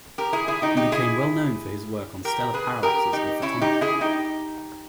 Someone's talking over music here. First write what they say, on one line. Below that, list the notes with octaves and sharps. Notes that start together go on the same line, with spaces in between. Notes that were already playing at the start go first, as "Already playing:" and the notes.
He became well known for his work on stellar parallaxes and photometry.
G4 A#4
E4 G#4
E4 G#4
D#4 G4
D#4 G4
E4 G#4
G4 A#4
G#4 B4
G4 A#4
D#4 G4
C#4 E4
D#4 G4
E4 G#4
D#4 G4